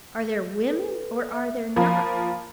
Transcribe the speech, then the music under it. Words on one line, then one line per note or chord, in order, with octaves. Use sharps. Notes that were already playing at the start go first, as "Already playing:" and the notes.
Are there women or are there not?
A4 B4
E5
F3 A#3 F5 A#5 B5